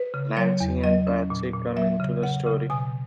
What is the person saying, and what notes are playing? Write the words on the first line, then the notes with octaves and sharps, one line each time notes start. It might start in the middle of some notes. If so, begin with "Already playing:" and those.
Nancy and Patsy come into the story.
Already playing: B4
C#3
F#3 C#5
E2
F#3 D#5
C#4
A#2
A#2
F#3 E5
C#3
C#3 F#5
C#3
B2 G#5